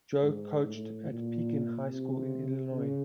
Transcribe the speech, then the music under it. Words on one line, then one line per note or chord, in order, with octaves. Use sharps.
Joe coached at Pekin High School in Illinois.
G#2
A2
A#2
C3
C#3